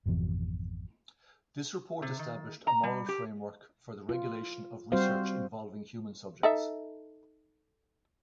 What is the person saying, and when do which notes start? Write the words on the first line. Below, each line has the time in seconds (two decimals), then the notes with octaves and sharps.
This report established a moral framework for the regulation of research involving human subjects.
0.06 G#1 F2 B2 E3
2.02 C3
2.19 D#3
2.67 A#5
2.83 G3
3.09 G4
4.09 F4
4.92 G3 C4 F#4 C5 F5
6.43 D#4 A4 E5